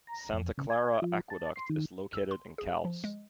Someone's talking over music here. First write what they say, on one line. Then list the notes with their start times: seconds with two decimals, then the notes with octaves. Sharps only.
Santa Clara Aqueduct is located in Calves.
0.07 A#5
0.33 F2
0.58 C#3
0.70 G#5
1.02 F3
1.30 A5
1.56 C6
1.69 D#3
2.13 E6
2.31 C6
2.58 G#4
2.85 F3
3.04 G#3